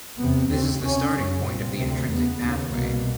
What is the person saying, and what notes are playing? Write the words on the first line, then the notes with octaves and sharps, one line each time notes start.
This is the starting point of the intrinsic pathway.
E2 C3 B3
D#2 C#3 C4
D2 C3 C#4
F#2 C#3
C2 A#2 C4
D2 C3 C4
E2 C#3 B3
D#2 C#3
C2 B2 A#3